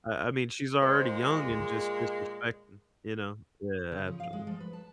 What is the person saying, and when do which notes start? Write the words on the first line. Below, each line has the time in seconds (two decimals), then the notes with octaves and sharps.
I I mean, she's already young and just disrespecting you know yeah, absolutely.
0.82 A#2 G#3 C5
3.91 C#3
4.08 F3
4.20 F5
4.33 G#3
4.47 F3
4.60 B4
4.73 A5